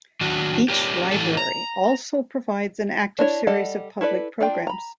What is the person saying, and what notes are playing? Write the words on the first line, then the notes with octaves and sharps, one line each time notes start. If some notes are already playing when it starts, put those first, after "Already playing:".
Each library also provides an active series of public programs.
D#3 F#3 D4 F#4
G4 A#4 C#5 D5
A2 E3 F#3 E4 G4 A4
A#5
D4 E4 C#5
G3 A4 D5 D#5 F#5
E4 A4 B4 D5
D4 F4 D5 G5
A#5 B5